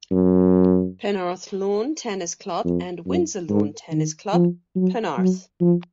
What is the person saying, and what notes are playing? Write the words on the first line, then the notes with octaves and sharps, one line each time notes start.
Penarth Lawn Tennis Club and Windsor Lawn Tennis Club, Penarth.
F#2
F2
F#2
G#2
D#3
F3
F#3
F#3
F3